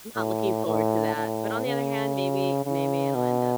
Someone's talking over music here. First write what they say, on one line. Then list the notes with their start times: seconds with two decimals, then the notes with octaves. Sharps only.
not looking forward to that, but on the other hand, maybe maybe it'll end up
0.16 A2
0.66 A2
1.16 A2
1.65 C#3
2.65 C#3
3.14 B2